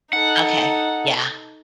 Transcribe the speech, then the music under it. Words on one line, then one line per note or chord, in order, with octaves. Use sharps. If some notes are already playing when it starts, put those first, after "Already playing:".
Okay. Yeah.
D#4 A4 F#5